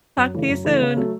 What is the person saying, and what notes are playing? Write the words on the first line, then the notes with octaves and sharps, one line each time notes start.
Talk to you soon.
F#2
C#3 E3 A3
F#2
C#3 E3 A3
C#3
F#3 A3